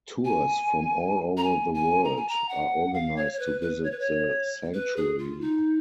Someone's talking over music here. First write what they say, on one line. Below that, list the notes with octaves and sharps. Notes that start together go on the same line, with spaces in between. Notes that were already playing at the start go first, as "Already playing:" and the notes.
Tours from all over the world are organized to visit the Sanctuary.
G#5
A#5
G#5
G#5
A#5
G#5
A#5
F#5
F5
C#5
C#5
B4
B4
C#5
B4
C#5
B4
G#4
F4
D#4